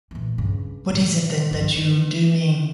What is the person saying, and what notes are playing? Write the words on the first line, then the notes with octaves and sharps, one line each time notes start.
What is it, then, that you do mean?
A#2 E3
G2 C#3
A2 C3
G2 F3
E3